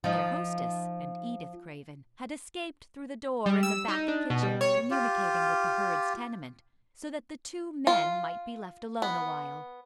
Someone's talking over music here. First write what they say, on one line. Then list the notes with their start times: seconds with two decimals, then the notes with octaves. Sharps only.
Their hostess and Edith Craven had escaped through the door in the back kitchen communicating with the Hurds' tenement, so that the two men might be left alone a while.
0.04 F3 D#4
3.46 G3
3.63 E6
3.88 D#4
4.08 D4
4.30 B2
4.43 G3
4.61 C#5
4.91 F4 G4
7.87 F4
9.02 B3